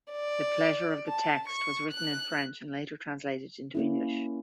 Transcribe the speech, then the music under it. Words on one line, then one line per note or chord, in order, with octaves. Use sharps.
"The Pleasure of the Text" was written in French and later translated into English.
D5
A5
C#6
F#6
A#3 C#4 E4